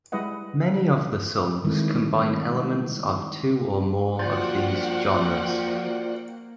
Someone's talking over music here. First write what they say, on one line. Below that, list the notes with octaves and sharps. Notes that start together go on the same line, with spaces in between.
Many of the songs combine elements of two or more of these genres.
G3 G#3 E4 B4 D#5 F#5
D#3 G3 G#3 C4 E4 A4
F3 A#3 F4 F#4 C5 D5 F#5 G5